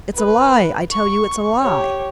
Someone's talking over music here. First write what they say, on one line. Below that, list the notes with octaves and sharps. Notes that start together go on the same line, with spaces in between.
"It's a lie--I tell you it's a lie!"
B4
C#6
G4 C#5